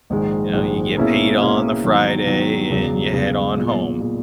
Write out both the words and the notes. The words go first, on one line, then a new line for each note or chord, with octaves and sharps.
you know, you get paid on the Friday, and you head on home.
A#1 G#2 D#3 G#3
A#1 G#2 D#3 G#3
B2 A#3 C#4 E4 G#4
B2 A#3 C#4 E4 G#4
E2 D#3 F#3
E2 D#3 F#3
E1 E2 C#3 F#3
E1 E2 C#3 F#3
B1 A#2 G#3
A#2 G#3